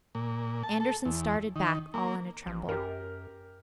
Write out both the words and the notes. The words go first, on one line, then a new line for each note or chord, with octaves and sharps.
Andersen started back all in a tremble.
A#2
A5
A4
E2
D#3
A#3
A1
F#2 G4 A#4